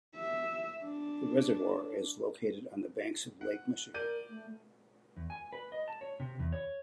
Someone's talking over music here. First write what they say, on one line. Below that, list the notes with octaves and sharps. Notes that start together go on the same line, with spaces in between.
The reservoir is located on the banks of Lake Michigan.
E5
D4
F#5
A#4 D5 G6 D#7
A3
E2
G#5
B4
D#5
A5
C#5
C3
E2
C#5